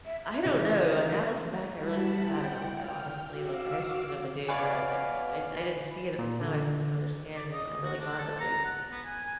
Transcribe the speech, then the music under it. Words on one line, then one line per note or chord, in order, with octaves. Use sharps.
I don't know, and now looking back, I really feel bad about that, honestly, like, I shouldn't have been doing that. I I I didn't see it at the time, I just didn't understand, and I'm really glad that I
E5
C#3 E3
G3 E4 F#4 A5 B5
F#5 G5
G5 F6
F#4 F5 D6 E6
B2 B4 C#5 D5 F5 G#5 D6
A#2
D3
D5
D#5
F#4
D4
A4
A#5
F#5
B3
G#5
G#5